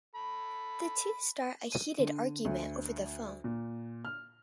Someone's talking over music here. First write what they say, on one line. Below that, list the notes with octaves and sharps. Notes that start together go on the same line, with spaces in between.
The two start a heated argument over the phone.
A4 B5
D#7
D3
D2
A#2
F6